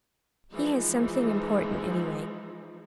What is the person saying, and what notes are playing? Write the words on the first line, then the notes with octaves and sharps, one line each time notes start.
He has something important, anyway.
E3 F3 G#3 D#4